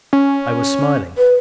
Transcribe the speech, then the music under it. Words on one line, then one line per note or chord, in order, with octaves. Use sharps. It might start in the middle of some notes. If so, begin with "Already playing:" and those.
I was smiling.
C#4
B4